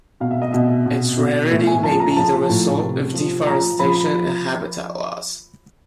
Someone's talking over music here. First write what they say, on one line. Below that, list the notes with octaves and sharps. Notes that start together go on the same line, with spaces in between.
Its rarity may be the result of deforestation and habitat loss.
B2 F5
E5
D#5
B2 E5
B2
B2
A2 E5
G#5
F3 A5
A#5
F3 A5
A2
C3
F3
F3 A#5
F3 B5